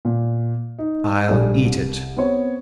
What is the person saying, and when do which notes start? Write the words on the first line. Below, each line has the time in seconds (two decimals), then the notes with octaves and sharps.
"I'll eat it."
0.05 A#2
0.79 D#4
1.28 A#1 G3 A4 D5
1.65 C2
2.17 B3 C4 C#5